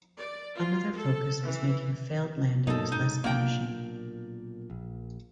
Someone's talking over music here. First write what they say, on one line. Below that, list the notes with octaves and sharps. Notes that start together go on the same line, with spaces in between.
Another focus was making failed landings less punishing.
D5
F4
A4
E3
G2 F#3 A#3 D#4 A4
G#2 C#3 D#4
B1 A#2 A#3 D4 G5
A#1